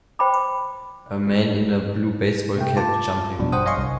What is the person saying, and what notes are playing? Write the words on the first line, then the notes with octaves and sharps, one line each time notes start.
A man in a blue baseball cap jumping.
C5 G5 B5 D6
C3 A3 G5
F4 A5 D6
A1 F2 B2 F3 G3 D4
G2 C5 F#5 D#6
C#5 D#5 F5 G#5 C6 C#6
C2